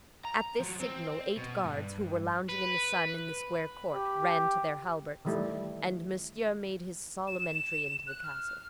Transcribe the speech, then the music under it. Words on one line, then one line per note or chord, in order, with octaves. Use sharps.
At this signal, eight guards, who were lounging in the sun in the square court, ran to their halberts, and Monsieur made his solemn entry into the castle.
A#5
F3 F#3
C4
B2
G2
B4
G4
D#3 E3 G3 A3 E4
E7
F#6
F6